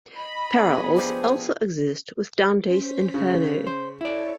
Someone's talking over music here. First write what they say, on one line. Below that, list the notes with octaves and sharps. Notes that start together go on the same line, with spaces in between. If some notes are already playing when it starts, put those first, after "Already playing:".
Parallels also exist with Dante's "Inferno".
D#5 B5
B3 D4 G#4 C#5
F3 D4 G4 C5
C#4 C5 B6
C#3
C5
E4 A4 C#5 D5